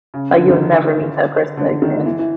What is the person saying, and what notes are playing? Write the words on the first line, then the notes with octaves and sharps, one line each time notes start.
Like, you'll never meet that person again.
C#3
D3
D#3
D3
D3
D#3
E3
E3